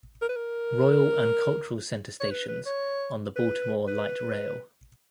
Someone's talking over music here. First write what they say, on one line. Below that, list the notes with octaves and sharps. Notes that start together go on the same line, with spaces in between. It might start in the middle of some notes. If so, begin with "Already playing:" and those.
Royal and Cultural Center stations on the Baltimore Light Rail.
A#4
B4
A#4
C#5
B4
B4
C#5
B4
B4